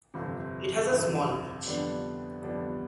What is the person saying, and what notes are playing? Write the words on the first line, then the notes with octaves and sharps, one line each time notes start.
It has a small beach.
G1 F2 C3
G1 F2 C3
F2 D3 G3 B3 D4
F2 D3 G3 B3 D4